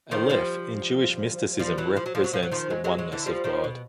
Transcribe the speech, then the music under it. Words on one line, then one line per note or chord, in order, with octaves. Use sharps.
Aleph, in Jewish mysticism, represents the oneness of God.
D#3 F3
F3 G3
F3 G3
E3 F#3
F3
F#3
F3
F#3
F3
F#3
D#3 F3
F#3 G#3
F#3 G#3
F#3 G#3
D3 E3
F3 G3
D#3 F3
B2